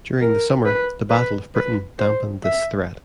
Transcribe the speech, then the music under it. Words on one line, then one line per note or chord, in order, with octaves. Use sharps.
During the summer, the Battle of Britain dampened this threat.
A#4
B4
B4
B4
C5
E5